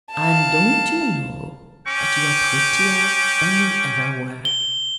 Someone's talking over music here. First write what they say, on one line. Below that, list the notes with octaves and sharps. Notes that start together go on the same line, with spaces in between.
"And don't you know that you are prettier than you ever were?"
F5 A5
C#4 G5 D6
G7